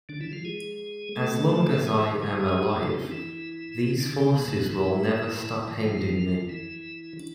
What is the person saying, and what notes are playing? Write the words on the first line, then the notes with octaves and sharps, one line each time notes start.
As long as I am alive, these forces will never stop hounding me.
D3 D4
E3 E4
F3 F4
G#3 G#4
A3 A4
G#3 G#4
E3 E4
G#3 G#4
G#3 G#4
A3 A4
A3 A4
C4
D4
E3 E4
D3 D4
D4
C3 C4
B2 B3
A2 A3
B2 B3
E3 E4
F3 F4
E3 E4
D4